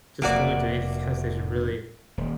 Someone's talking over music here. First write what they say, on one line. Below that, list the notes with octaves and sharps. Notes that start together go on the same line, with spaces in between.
just going to any gas station really
F1 C3 A#3 F#4 D5
D#1